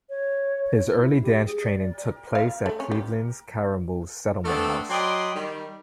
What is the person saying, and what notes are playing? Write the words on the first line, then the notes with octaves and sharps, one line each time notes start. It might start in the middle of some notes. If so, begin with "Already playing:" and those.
His early dance training took place at Cleveland's Karamu Settlement House.
C#5
E4
G4
G#4
D5
F5
A3
C#4
G4
A3 B3 C4 D4 A4
F#3 D5 D#5 G5 B5 C6
D#3 G3